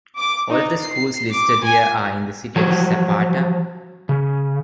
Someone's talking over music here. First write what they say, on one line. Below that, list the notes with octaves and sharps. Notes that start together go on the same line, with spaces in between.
All of the schools listed here are in the city of Zapata.
D6
D#4
C7
D6
G#5
F3 F#3 G4 C#5
C#3